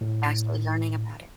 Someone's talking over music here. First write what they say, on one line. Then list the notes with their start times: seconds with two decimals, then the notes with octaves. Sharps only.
Actually learning about it.
0.01 A2